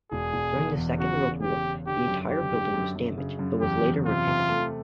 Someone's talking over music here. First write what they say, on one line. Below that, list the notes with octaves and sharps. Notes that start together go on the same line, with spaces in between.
During the Second World War, the entire building was damaged but was later repaired.
E1 G#4
E1
E2
E2
C#3 F#4
E2
C#3 G4
C#3
D3 G4
F#2
D3 G4
D3
F#2
F#2
C#3
F#2
E2 G4
E2
C3 F4
C3
A3